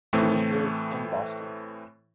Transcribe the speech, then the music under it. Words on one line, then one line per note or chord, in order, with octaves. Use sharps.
Petersburg and Boston.
A2 E3 A3 C4